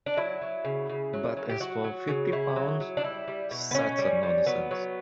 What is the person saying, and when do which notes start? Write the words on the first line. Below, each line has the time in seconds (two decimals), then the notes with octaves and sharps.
But as for fifty pounds — such nonsense!
0.06 D4
0.17 F#3 E4
0.42 F#3
0.65 C#3
0.89 C#3
1.13 F#3
1.37 F#3
1.49 G4
1.60 F#3 F#4
1.84 F#3
2.08 C#3
2.32 C#3 E4
2.56 F#3
2.80 F#3
2.97 D4
3.04 G3 E4
3.28 G3
3.51 B2
3.71 B3
3.75 B2 C#4
3.99 G3
4.23 G3
4.46 F#3 B3
4.71 F#3